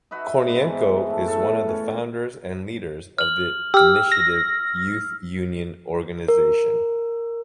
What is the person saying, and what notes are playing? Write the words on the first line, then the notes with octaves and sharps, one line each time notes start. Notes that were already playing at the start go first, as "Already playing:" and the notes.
Kornienko is one of the founders and leaders of the Initiative Youth Union organization.
D#4 F#4 B4 E5
G#2 B3
G#2 E3
A2 A3
A2 A4
C#4
F6 F#7
G4 E6 F6
A#6
A#4